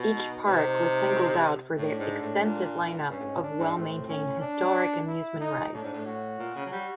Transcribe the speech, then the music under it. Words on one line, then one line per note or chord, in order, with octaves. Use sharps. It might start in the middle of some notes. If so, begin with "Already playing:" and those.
Each park was singled out for their extensive lineup of well-maintained historic amusement rides.
Already playing: B2
D#4
C3
A2 D4
G#2
A2
A#2
G2 C#4
A2
G#2
D4
G#2
A2 C4
C#4
D4
E4
D#4
A2 D4
G#2
A2
F#4
A#2
C#3
F#3
G3